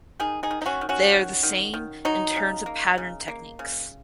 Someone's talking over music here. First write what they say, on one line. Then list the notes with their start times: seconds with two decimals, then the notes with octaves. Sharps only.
They are the same in terms of pattern techniques.
0.20 D#3 D#4 G#4
0.43 D#4 G#4
0.51 D#3
0.62 D#4
0.66 C#4 F#4
0.81 D#3
0.89 C#4 F#4
1.12 D#3
1.43 D#3
1.74 D#3
2.05 F#3 D#4
2.36 C#3
2.66 A#3
2.98 C#3
3.28 A#3
3.59 C#3